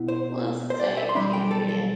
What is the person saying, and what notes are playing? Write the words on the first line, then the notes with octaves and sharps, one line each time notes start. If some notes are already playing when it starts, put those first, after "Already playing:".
Well, thank you, dear.
Already playing: B2 B3 E4
C5
C5
D5
E5
C6
B1 B2 G3 D4 B5
G5
A4
A4